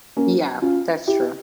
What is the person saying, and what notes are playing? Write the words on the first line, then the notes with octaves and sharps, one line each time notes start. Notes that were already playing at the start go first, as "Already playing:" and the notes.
Yeah, that's true.
A#3 C#4
C#4 F4
E4 G4